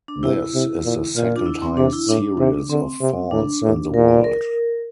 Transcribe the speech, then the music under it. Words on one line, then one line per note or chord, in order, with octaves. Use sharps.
This is the second-highest series of falls in the world.
D4
C3 E4
C3
A#2
A#2 F4
D4
E4
C4
C3 D4
E4
A2 D4
C3
D3 C4
C3
A2 D4
A2
A#2 A#4
D5
A#4